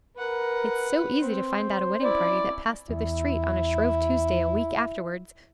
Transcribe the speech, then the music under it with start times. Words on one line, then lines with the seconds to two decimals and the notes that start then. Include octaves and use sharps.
It's so easy to find out a wedding-party that passed through the street on a Shrove Tuesday, a week afterwards.
0.17 A#4 B4 F#5
1.21 C4 C5
2.01 C#4 E4 D5
2.89 E2 E4